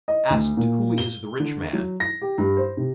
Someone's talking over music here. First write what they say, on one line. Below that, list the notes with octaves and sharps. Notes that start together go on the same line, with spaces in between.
Asked, Who is the rich man?
D#5
D2
A#2
G7
D3
F#3
A#6
G4
G2
C5
C3